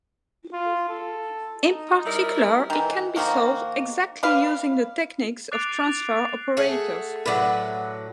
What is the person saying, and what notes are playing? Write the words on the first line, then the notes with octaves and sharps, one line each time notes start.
In particular, it can be solved exactly using the techniques of transfer operators.
F4
A4
D#4
G3 E4 A#4
D#3 E3
D#3 F3 A#3 F#4
B4 D5 F5
D6 F#6 A6 C7 D7 F7
A3 G#4 F#5
A2 F#3 B4 D5 F#5